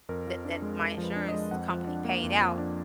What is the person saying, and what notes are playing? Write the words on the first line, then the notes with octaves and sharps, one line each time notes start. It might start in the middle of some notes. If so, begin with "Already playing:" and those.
that that my insurance company paid out.
F2 A#4
F3
D4
G#3
F2 A#4
F3
B4
D4
D#5
G#3
F2 F#5
F3
D4
A#3
F2
F3
D4